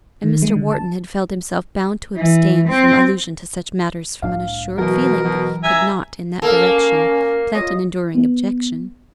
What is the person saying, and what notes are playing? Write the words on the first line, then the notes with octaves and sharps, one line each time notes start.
And Mr. Wharton had felt himself bound to abstain from allusion to such matters from an assured feeling that he could not in that direction plant an enduring objection.
D#3
G#3
D3
A5
E3
C4
C2 A2 D4 F5
B2 E3 F#3 F#4 A#4
B2
C#2 E5 G#5 A#5
A#3 C#4 A4 A#4 F5
F4 C#5 D#5
B3